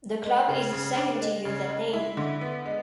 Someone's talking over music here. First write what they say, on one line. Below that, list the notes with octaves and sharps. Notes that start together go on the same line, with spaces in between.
The club is the second to use that name.
G#3
C#3
C#3
D4
G#3
C#3
G#3
E4
D3
B3
G#3